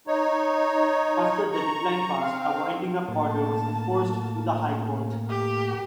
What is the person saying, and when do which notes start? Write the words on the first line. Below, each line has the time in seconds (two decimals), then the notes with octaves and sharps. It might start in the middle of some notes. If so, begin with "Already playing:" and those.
After the deadline passed, a winding up order was enforced through the High Court.
0.07 D#4 C#5
1.52 A#5 C#6
2.19 C4 F5
3.08 A2 A#3 A5
5.30 G4